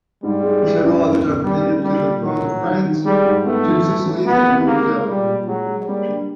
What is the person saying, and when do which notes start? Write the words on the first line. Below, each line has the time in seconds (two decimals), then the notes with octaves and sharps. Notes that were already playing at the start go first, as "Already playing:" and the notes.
Several others are pretenders to the thrones of France, Two Sicilies, and Brazil.
0.23 G#2 G3
0.43 G#3
0.63 E3
0.83 F#2
1.03 F#2
1.23 B3
1.44 G3 D4
1.65 C#3
1.84 G3 A#3
2.04 A#2
2.24 E3 F#3
2.45 A2
2.65 D#3
2.85 D#3
3.05 G3 G#3
3.25 G#2
3.46 A3 B3
3.65 D#3
3.85 E3
4.06 E3
4.26 A#3 B3
4.47 C3
4.66 G#3 A#3
4.87 G#3
5.06 A#2 G3
5.27 A#2
5.47 F#3 G#3
5.67 G#3
5.87 G3 A#3
6.08 D3